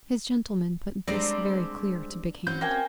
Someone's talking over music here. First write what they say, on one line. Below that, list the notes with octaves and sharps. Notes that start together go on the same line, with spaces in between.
His gentlemen put this very clear to Big Hand.
G3 G#3 C4 D4 D5 A#5
C4 C#4 F#4 G6
A#3 G5 G#5